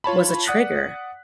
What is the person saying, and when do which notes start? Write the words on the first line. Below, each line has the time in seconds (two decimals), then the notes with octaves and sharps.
was a trigger."
0.04 F4 C#5 A5 B5
0.46 D5 F#5 D#6 F#6 B6